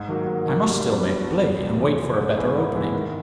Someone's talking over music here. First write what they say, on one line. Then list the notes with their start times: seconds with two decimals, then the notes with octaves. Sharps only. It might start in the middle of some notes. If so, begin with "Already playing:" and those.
I must still make play and wait for a better opening.
Already playing: G#2
0.08 D#3 F#3 A#3
0.27 G#2
0.45 D#3 F#3 A#3
0.65 G3
0.84 B3 D4 F#4
1.03 G3
1.22 B3 D4 F#4
1.41 E2
1.60 C3 F3
1.79 E2
1.98 C3 F3
2.17 G#2
2.36 E3 G#3 B3 E4
2.55 G#2
2.74 E3 G#3 B3 E4
2.93 D#3